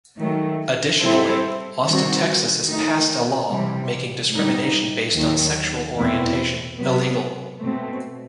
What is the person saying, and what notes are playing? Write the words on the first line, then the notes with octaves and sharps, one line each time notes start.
Additionally, Austin, Texas has passed a law making discrimination based on sexual orientation illegal.
D#3 F#3 A3
G3 C4 E4 A4 C5
D#3 G3 C4 F#4
D#3 A3 D#4
C3 E3 G3
A2 G3 D#4
D#2 D#3 F#3
E2 B2 A3 C4 E4
C3 F#3 B3
B2 A3 C4